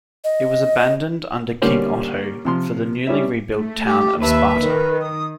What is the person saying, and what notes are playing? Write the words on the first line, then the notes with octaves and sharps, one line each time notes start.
It was abandoned under King Otto for the newly rebuilt town of Sparta.
D#5
D3 G3 A#3 C#4 A#4 C5
C3 F3 C6
G3 C#4 E4 E5
A3
G4
D#2 B4 E5 A5
D#3 A#4
D#6